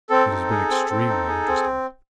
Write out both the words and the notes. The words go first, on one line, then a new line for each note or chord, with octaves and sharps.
It has been extremely interesting.
C4 A4
D#4
G#4
C4
C4
D#4
G#4
C4